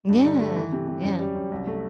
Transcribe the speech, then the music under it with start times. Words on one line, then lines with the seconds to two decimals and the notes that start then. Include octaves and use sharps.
Yeah, yeah.
0.09 G2
0.24 D3
0.41 A3
0.56 E3
0.72 C3
0.87 C3
1.03 F#2
1.19 G3
1.35 F#2
1.52 C2
1.67 A3